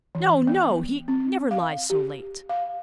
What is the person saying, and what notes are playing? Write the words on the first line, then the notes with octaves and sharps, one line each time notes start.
No--no--he never lies so late.
E3
B3
C4
F5
G4
F5